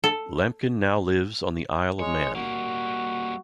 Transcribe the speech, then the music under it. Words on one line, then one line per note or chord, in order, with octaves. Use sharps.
Lampkin now lives on the Isle of Man.
A4
G#3 C#5
G3 A#3 F#4